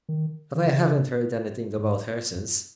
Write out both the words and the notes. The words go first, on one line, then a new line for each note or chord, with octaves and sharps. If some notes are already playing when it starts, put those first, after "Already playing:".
But I haven't heard anything about her since.
D#3
D#3
C#3
G#2
F#2